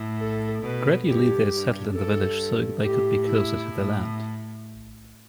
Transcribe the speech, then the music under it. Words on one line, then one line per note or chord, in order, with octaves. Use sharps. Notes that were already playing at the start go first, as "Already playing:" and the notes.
Gradually they settled in the village so they could be closer to their land.
Already playing: A2
A4
B2 B4
G2 G4
G2
G2 A4
A2 G4
E4
A2